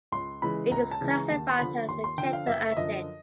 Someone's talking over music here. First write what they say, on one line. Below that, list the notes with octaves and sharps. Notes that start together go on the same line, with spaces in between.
It is classified as a keto acid.
C#2 C6
C#3 E3 G#3 B5
C#2 A#5
A5
C#3 E3 G#3
A#5
D#2 A5
C6
D3 F3 B5
D#2 C6
C6
D3 G5
F3
F5
F#1 E5
E5
F#2 D3 F3 D#5